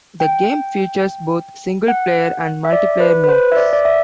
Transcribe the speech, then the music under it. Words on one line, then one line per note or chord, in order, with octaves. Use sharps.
The game features both single-player and multiplayer modes.
G5
F#5
E5
D5
B4
B4
C5
E5
D5
D5
E5